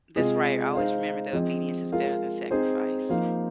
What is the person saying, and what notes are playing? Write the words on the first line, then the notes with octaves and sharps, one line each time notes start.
That's right, always remember that obedience is better than sacrifice.
C3 G#3 F4 G#4 D#5
G#3 D#4 C5 F5
F3 C4 G#4 D#5
G#3 F4 A#4 F5
C4 D#4 G#4 C5
F3 A#3 D#4 C5 F5